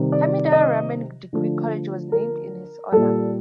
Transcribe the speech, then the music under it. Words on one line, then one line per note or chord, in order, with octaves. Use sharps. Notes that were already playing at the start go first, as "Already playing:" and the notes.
Hamidur Rahman Degree College was named in his honour.
Already playing: C3 D#3 G3
D5
D#5
D3 F3 A3
A#4
A#2 G3 A4